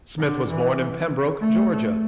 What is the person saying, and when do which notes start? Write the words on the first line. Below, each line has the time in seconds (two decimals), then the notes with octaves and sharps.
Smith was born in Pembroke, Georgia.
0.19 D3
0.49 E3
1.40 A3
1.71 A3